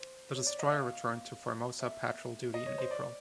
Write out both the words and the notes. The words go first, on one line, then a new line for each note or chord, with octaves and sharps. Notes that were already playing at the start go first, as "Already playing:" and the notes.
The destroyer returned to Formosa Patrol duty in April.
Already playing: C5
C#5
D5
D#5
F5
E5
D#5
C#5
C5
D5